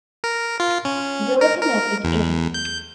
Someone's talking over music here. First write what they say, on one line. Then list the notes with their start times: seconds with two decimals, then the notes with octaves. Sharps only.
Dorothy married A.
0.24 A#4
0.60 F4
0.85 C#4
1.41 A#4
1.61 A#4
2.04 E2
2.54 G6